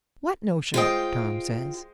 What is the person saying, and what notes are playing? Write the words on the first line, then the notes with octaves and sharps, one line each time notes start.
"What notion?" Tom says.
G#3 F4 C5 D#5 G5